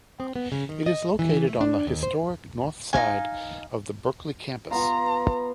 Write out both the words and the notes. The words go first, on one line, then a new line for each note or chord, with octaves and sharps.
It is located on the historic north side of the Berkeley campus.
C4
B3
C#3
D#3
D#5
E3
A3
D4
D#2
C5
D#4 F#4 F5 G#5
B3 F4 A#5